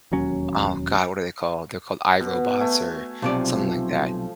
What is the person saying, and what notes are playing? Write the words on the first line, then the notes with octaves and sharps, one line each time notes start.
oh, god. What are they called? They're called iRobots or something like that.
E1 D#2 F#3 C#4
B2
A3 G#5
B1 C3 F3 D5